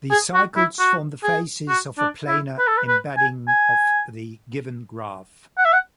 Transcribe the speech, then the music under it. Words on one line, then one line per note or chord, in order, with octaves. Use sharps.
These cycles form the faces of a planar embedding of the given graph.
G#4
F#4
E4
F#4
G#4
F#4
D4
E4
B4
A4
B4
B4
G#5
G#5
F#5
E5
F#5